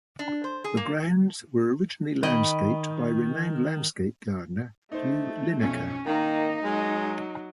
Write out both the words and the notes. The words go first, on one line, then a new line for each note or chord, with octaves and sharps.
The grounds were originally landscaped by renowned landscape gardener Hugh Linaker.
D4
C5
G#4
A#3
D#3 D#5 G5 B5
A3 D#4 C5
B1 F2 C#4
D#3 A#3 D#4 A#5
F#3 G#3